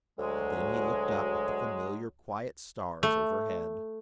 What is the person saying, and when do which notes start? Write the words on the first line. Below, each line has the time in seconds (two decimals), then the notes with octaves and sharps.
And then he looked up at the familiar quiet stars overhead.
0.18 D2 F#3 G#3
3.03 A3